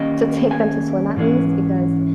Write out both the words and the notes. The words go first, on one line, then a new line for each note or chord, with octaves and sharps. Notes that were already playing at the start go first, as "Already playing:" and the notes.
to take them to swim at least because
Already playing: D#3 G3 A#3 C#4 D#5
G#5
G#2 E3 G#3 C#4